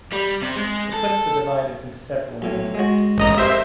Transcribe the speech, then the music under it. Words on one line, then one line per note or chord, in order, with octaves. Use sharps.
The cliffs are divided into several main sectors.
G3
C3
G#3
A4
B1 A2
G#3 F#4
A1 D#5 A#5
C4 G4 A#4 C5 E5